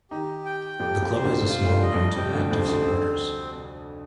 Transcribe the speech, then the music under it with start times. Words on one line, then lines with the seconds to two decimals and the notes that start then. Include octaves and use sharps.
The club has a small amount of active supporters.
0.11 D#3 D#4 G4
0.46 G5
0.79 F2 F3 G4
1.03 F2 F3
1.15 C5
1.25 D2 D3
1.48 C3 F4
1.63 A3
1.71 G2 G3
1.82 D#5
1.94 F2 F3
2.16 C3 G5
2.34 D2 D3
2.51 F2 F3 C5
2.68 D2 D3
2.86 D3 C4